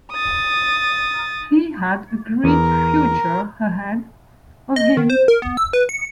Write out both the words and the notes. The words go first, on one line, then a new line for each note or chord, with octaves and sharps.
He had a great future ahead of him.
D#6 A6
E2 A#4
D#5
D#3
C5
A#4
B3
E6
B4
C#7